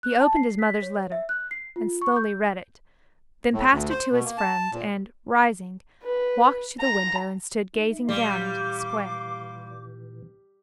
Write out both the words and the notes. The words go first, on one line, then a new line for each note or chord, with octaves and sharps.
He opened his mother's letter and slowly read it, then passed it to his friend and, rising, walked to the window and stood gazing down into the square.
F#6
A5
C7
B6
C#5
E5
F#6
C7
F4
C#6
G6
A2
D2
C5
B2
A#3
A5
A#2
B4
A#5
D#4 E5
A#2 E3 G3 F5 C6 D6